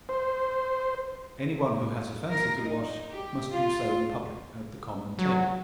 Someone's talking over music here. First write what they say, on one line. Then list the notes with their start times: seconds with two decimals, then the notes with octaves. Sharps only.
Any one who has a fancy to wash must do so in public at the common table.
0.09 C5
2.31 A#4
2.61 D#4
3.10 G4
3.50 F4
5.19 F#3